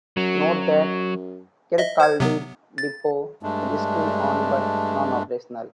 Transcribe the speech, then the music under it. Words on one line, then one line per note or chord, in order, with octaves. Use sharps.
Note that Kirkcaldy depot is still owned but non-operational.
F#2 F#3
D#5 E5
C5 G#6
C3 F#3 B3
A6
G2 G#3 A3 D4